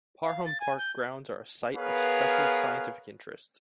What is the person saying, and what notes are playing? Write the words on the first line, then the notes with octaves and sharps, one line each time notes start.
Parham Park grounds are a Site of Special Scientific Interest.
F5
A6
G#5
G6
B3 G#4 A#4 B4 C#5 F5